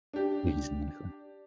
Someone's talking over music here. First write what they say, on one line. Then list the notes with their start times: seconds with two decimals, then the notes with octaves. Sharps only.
But he's in the clear.
0.13 D4 G4